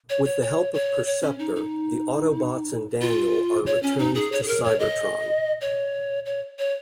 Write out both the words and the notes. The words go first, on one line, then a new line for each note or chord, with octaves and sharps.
With the help of Perceptor, the Autobots and Daniel are returned to Cybertron.
C#5
C#5
C#5
C#5
C#5
C#4
D#4
D#4
F4
C#5
C#4
D#4
G#4
C#5
G#4
A#4
C#5
D#5
C#5
C#5
C#5